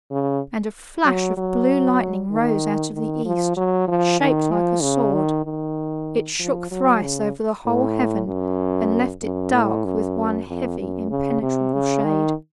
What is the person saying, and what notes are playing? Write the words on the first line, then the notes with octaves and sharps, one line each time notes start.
And a flash of blue lightning rose out of the East, shaped like a sword; it shook thrice over the whole heaven and left it dark with one heavy, impenetrable shade.
C#3
F#3
F#3
D#3
D#3
F3
F#3
F3
D#3
F3
C#3
D#3
D#3
F3
F#3
C#3
A2
F#2
F#2
A2
F#2
F2
F#2
C#3
C3
C#3
D#3